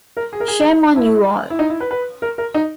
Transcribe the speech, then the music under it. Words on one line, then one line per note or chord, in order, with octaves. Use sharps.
Shame on you all.
A#4
G#4
A#4
G#4
E4
E4
D#4
E4
B4
B4
A#4
A#4
D#4